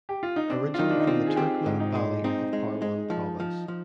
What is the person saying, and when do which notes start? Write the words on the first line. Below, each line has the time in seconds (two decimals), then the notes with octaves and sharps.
Originally from the Turkman Valley of Parwan Province.
0.09 G4
0.23 F4
0.36 D#4
0.50 C4 D4
0.74 F4
0.78 D#3 D#4
0.90 D4
1.00 D#4
1.07 C4 F4
1.27 G#4
1.36 C4 G4
1.66 G#2
1.80 D#4
1.95 G#3
2.24 C4 D#4
2.53 G#3
2.82 G#3
3.10 F3
3.40 F3
3.68 F3